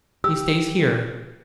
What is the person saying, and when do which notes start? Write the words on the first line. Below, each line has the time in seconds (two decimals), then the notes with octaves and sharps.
He stays here.
0.24 G4 E6